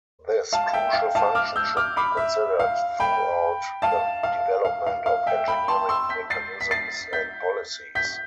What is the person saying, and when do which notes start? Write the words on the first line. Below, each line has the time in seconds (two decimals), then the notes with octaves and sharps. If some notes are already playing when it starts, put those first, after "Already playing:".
This crucial function should be considered throughout the development of engineering mechanisms and policies.
0.53 F5 A5
0.73 E5 G5
0.93 F5
1.15 F5 A5
1.35 D6 F6
1.56 E6 G6
1.77 D6 F6
1.97 B5 D6
2.17 E5
2.60 F5
3.00 G5 B5
3.82 F5 A5
4.23 F5
4.65 F5
4.86 F5
5.06 F5
5.27 E5 G5
5.48 G5 B5
5.68 A5 C6
5.89 C6 E6
6.09 G6 B6
6.30 A6 C7
6.61 B6
6.71 A6 C7
7.13 G6 B6
7.95 G6 B6